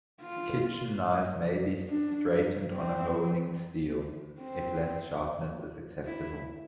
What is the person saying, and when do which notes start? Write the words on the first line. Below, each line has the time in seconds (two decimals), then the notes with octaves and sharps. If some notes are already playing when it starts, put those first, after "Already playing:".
Kitchen knives may be straightened on a honing steel if less sharpness is acceptable.
0.22 F4
1.89 D4
2.72 C4
4.39 C4
6.05 E4